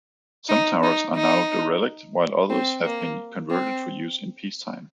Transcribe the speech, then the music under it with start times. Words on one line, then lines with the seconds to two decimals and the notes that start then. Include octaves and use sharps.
Some towers are now derelict while others have been converted for use in peacetime.
0.49 D#4
0.83 D#4
1.16 D#4
2.50 C4
2.85 A#3
3.51 C4